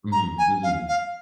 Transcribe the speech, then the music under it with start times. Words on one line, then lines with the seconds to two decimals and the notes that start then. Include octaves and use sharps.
Mhm, mhm.
0.12 A#5
0.38 G#5
0.63 F5
0.88 F5